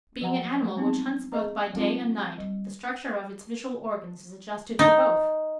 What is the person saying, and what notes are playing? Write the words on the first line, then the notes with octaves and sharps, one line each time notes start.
Being an animal which hunts both by day and night, the structure of its visual organs is adjusted for both.
F3 F#3 F#4 F#5 A#5
F#3 G#3
F#3 B3 C4 D#4
G#4 D#5 A#5
F#3 G#3 C4 D#4 F4
G3
D#4